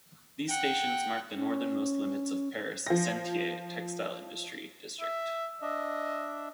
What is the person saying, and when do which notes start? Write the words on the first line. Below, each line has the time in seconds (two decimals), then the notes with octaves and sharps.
These stations mark the northernmost limits of Paris' "Sentier" textile industry district.
0.48 F#5 G5
1.35 C#4
2.87 F3 A#6
5.01 E5
5.62 D4 D#5 E5